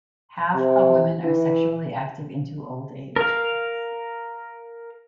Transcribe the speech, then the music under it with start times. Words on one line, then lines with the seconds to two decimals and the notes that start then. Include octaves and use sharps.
Half of women are sexually active into old age.
0.56 C3
1.24 E3
3.16 A#4 F5